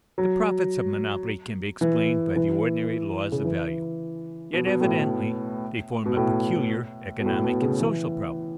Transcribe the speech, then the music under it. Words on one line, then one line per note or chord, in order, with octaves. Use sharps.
The profits of monopoly can be explained by the ordinary laws of value, yet evidently they form a peculiar economic and social problem.
F#3
E3
E3
C#3
E3
B2
B2
A2
B2
A2
B2
A2
B2
C#3
E3